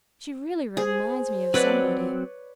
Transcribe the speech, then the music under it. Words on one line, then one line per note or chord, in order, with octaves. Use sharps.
She really reminds me of somebody.
G#4 C5
F#3 C4 B4 C#5 D5 F#5